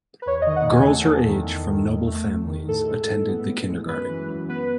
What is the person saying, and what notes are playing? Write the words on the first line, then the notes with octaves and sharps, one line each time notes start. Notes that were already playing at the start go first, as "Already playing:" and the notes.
Girls her age from noble families attended the kindergarten.
B4
E2 C#5
D#3 D#5
F#5
E2 G#5
A3 A4
E2
D#3
E2
D#3
E2
A3
E2
D#3
A2 A4
G#3
A2
B3
A2
G#3
F#2 B4
E3
F#2
B3 B4